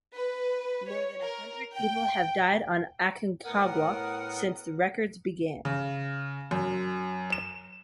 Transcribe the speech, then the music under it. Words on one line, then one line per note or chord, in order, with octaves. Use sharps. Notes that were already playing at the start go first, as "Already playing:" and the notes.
More than a hundred people have died on Aconcagua since records began.
B4
C#5
A#4
G5
A2 B3 A#4 F#5 D#6
C#3
F#2
E7